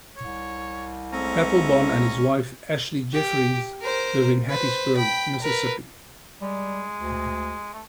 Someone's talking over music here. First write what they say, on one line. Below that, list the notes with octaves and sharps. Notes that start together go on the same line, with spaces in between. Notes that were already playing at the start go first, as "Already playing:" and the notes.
Papelbon and his wife, Ashley Jefferies, live in Hattiesburg, Mississippi.
C2 C#5
G#3 A3 C4 C#4 A#5
G4
A#4 C5
B4 C5
G5 B5
A#4 B4
G3 G#3
D2
A3